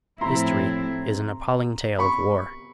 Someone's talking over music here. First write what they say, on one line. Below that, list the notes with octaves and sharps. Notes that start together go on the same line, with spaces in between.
History is an appalling tale of war.
A2 F3 A3 C4 E4 A#5 C6
B5 C#6